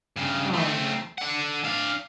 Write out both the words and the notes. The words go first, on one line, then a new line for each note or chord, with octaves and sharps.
Oh, yeah.
G2 C#3
A3 C4
D3 F#5
D4 F5